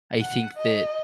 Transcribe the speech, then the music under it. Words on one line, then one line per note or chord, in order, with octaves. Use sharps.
I think that,
F#5
D#5